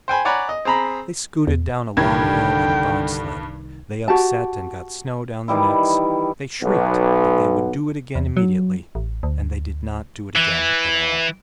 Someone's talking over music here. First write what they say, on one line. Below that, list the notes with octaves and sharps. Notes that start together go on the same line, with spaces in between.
They scooted down a long hill on a bob-sled, they upset and got snow down their necks they shrieked that they would do it again immediately--and they did not do it again at all.
C5 G5 G#5 B5
C#5 D5 F#5 G#5 A#5 B5
D#5
C4 G#4 A#5 B5
E2
C2 G2 D3 D#3 G5 G#6
F#4 G4 A5
D#3 E3 G3 E4
B1 B3
E2
F#3
A1
D2
E3